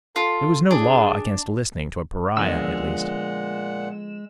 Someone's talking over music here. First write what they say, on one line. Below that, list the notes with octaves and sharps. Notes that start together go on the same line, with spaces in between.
There was no law against listening to a pariah, at least.
F4 A4
D4 G#4
A#2 D3 F3 G#3 B3 F#5 E6